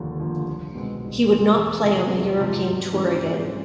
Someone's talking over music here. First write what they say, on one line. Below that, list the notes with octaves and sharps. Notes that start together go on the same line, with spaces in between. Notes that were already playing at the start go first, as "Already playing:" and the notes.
He would not play on the European Tour again.
Already playing: F1 D#2 D3 F3
D#2 D3 F3
C2
B2 G#3 C4
C2
B2 G#3 C4
E2
C3 F3 G#3
E2
C3 F3 G#3
G#2
E3 G#3 C#4
G#2
G#3 C#4